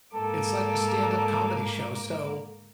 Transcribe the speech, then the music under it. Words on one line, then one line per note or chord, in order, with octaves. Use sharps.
It's like a stand-up comedy show, so,
G#2 A#3 A4 D6